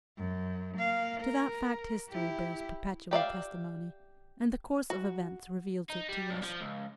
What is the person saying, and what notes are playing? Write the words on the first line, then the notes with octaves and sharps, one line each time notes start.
To that fact history bears perpetual testimony, and the course of events reveals it to us.
F#2
A#3 F5
A#4
E4 G4
G4 D5 E5 F5
F#4
D#4
G3
B1 G2
F3
C#2